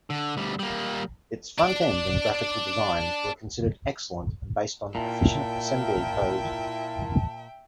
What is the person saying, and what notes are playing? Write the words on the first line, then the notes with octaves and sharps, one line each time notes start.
Its front-end and graphical design were considered excellent and based on efficient assembly code.
D3
D2 G3
G3 A#3
D4 D5
A#2 E4 F4 A#4 E5 G5 A5